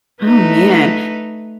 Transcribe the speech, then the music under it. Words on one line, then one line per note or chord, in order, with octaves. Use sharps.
Oh, man.
A3 D#4 B4